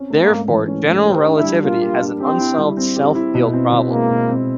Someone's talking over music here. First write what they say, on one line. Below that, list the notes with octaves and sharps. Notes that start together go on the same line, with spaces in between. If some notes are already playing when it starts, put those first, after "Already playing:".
Therefore, general relativity has an unsolved self-field problem.
Already playing: C4 C#4
A3
A#3
G#2
E3
C#4
A3
C4 G4
D4
E4
G3
A#3 F4
G4
D4
C4 G4
E4
G3
C4
G4
E4
B2
C4
B2
G#3 A#3
B2
C4